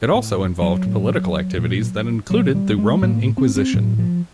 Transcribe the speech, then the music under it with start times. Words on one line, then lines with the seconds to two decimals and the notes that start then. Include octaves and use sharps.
It also involved political activities that included the Roman Inquisition.
0.14 A2
0.62 F#3
0.86 A2
1.58 A#2
2.30 A#2 F#3
2.55 G3
2.78 G#3
3.02 A2 A#3
3.38 C4
3.56 C4
3.74 A2 F#3
3.99 F3